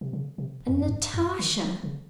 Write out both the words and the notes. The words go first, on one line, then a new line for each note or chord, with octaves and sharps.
And Natasha!
C3
C#3
C3
F2
F#2
G#2
F#2
D#3
F3
C#3